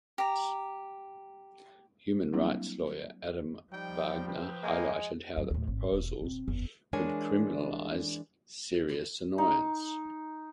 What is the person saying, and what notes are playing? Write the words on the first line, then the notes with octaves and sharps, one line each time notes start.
Human rights lawyer Adam Wagner highlighted how the proposals would criminalise "serious annoyance".
G4 A#5
F#3 G3 A#3 C4 D4 E4
F3 G3 D#4 G5
B4 G5
G#3 A#3
F#2
D#2 A2
G#1
E1
D#1 C4
F#1 E2
E3 G#3 D4 A#4 C#5 G#5
D#4